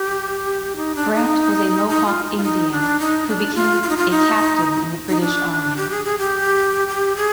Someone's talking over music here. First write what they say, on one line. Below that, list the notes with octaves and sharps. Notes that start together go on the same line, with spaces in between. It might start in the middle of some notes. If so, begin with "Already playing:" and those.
Brant was a Mohawk Indian, who became a captain in the British Army.
Already playing: G4
D#4
D4
D#4
D#4
F4
D#4
F4
D#4
D4
D#4
D4
F4
F4
D#4
F4
D#4
D#4
D4
G4
G#4
G#4
G4
G4
G#4